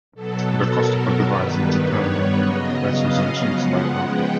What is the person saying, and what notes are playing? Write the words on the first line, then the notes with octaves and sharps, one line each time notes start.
The cost of a device is determined by its resolution and its light output.
B2 F#3 B3 A4
A#4
G2 D#3 G3 B3 B4
C#5
C#3 F#3 B3 D#5
F5
C#3 F3 G#3 B3 F#5
G5